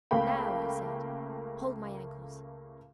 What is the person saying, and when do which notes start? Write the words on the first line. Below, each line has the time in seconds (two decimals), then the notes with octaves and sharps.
"Now," he said, "hold my ankles."
0.11 C#2 C#3 A3 A#3 G5 B5